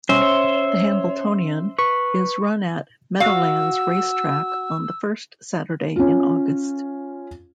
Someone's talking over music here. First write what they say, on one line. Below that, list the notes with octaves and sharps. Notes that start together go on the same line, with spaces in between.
The Hambletonian is run at Meadowlands Racetrack on the first Saturday in August.
B2 G3 C#4 C5 E5
C#5
B4 C#6
F#4 F5 E6
C#4 F4